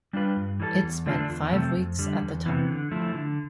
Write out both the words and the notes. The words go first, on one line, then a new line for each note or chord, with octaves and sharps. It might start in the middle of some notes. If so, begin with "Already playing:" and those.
It spent five weeks at the top.
G3 D4 F4 B4
G2
E3 G3 D4 A4
E2
D3 A3 D4 F4
E2
C3 F3 A3
F2
D3 G3
E2
C3 E3 B3
D3
F3 A3 E4
D3